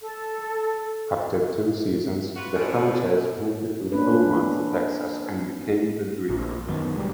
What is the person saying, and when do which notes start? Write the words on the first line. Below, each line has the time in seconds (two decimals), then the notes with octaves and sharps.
After two seasons, the franchise moved to Beaumont, Texas, and became the Drillers.
0.01 A4
2.36 F4 F#4 B4
2.55 A2 D3 F3 C#4
3.92 A#3 C#4 D4 B4
6.30 A#1
6.68 F#2 D#3 B3
6.97 A1 D2 G3 G#3